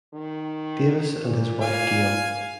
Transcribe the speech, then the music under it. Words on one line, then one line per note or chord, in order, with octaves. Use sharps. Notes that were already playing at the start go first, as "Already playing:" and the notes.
Davis and his wife Gale.
D#3
A#2
F5 G#5